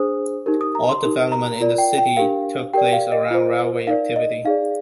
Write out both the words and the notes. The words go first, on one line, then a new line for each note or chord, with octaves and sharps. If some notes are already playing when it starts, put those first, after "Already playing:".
All development in the city took place around railway activity.
Already playing: D4 G#4 C5 D#6
D#4 G4 A#4
D#6
A#5
C6
D#4 G4 A#4
A#5
F4 A#4 D5
G5
G5
D4 G4 A#4 F5
G4 A#4 D5 G5
F5
D#5
F4 C5
D#4 A#4 D5 F5
D#5
D#4 G#4 D5 F5